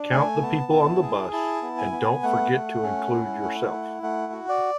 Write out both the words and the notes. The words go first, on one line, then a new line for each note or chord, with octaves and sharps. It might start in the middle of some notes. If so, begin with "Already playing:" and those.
Count the people on the bus, and don't forget to include yourself.
Already playing: D4
A3 G#5
B3 A5
E4
G#4
E4 A5
B3
G#5
B3
A3 F#5
A3
C#4
E4
A3
E4
A3 F#5
F#4
D5